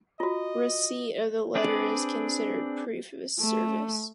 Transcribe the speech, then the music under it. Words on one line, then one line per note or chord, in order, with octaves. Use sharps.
Receipt of the letter is considered proof of service.
F4 F#4 D#5
C4 D4 G#4 B4 D5
A3